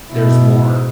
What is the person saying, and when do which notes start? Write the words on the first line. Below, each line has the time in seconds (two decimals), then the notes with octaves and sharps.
there's more,
0.10 B2 E4